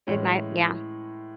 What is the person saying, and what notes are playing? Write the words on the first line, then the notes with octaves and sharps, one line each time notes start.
It might Yeah.
A2 E3 G#3 C#4